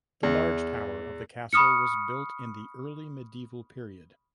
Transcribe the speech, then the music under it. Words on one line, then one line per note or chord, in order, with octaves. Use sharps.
The large tower of the castle was built in the early medieval period.
E2
B5 C#6 D#6 F6 C#7